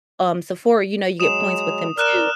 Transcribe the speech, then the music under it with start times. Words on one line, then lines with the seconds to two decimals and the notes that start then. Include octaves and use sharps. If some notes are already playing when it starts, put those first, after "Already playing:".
um, Sephora. You know, you get points with them too,
1.20 F#3 G#3 D#6 E7
1.98 A#4 D5 F6 F#6 E7